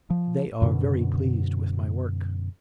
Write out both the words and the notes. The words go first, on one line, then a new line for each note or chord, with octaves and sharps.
They are very pleased with my work....
F3
F#2 B2 D3